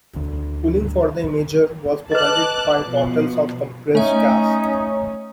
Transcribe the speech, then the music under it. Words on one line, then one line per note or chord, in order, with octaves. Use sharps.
Cooling for the imager was provided by bottles of compressed gas.
D2
B4 D#5 A5 D6 F#6
B2 F3
A3 C#4 D#4 E5